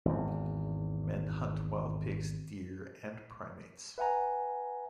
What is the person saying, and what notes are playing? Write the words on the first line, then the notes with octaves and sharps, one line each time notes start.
Men hunt wild pigs, deer and primates.
G#1 E2
B4 E5 F#5 G#5 A#5